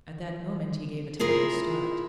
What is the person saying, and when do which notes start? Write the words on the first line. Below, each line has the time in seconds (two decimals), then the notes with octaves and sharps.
At that moment, he gave a terrible start.
1.19 E4 F4 G#4 A#4